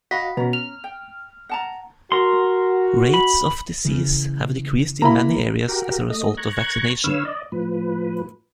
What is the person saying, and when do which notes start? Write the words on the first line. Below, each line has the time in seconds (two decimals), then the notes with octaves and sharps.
Rates of disease have decreased in many areas as a result of vaccination.
0.11 F#4 D#5 F5 F#5 B5 B6
0.37 B2 C#4 A#5
0.53 F6 F7
0.84 G5
1.49 F#5 A5 A#5
2.12 F#4 A#4 C6
3.14 B5
3.85 C#3 E3
5.02 A#3 E4 A#5 B5
5.68 F#4 G4 A#4
6.10 A3 D#5
6.37 A#5 C#6 F#6 G#6
7.04 D3 B4 C#5 F5 E6
7.25 D5 D#5
7.52 A2 F3 B4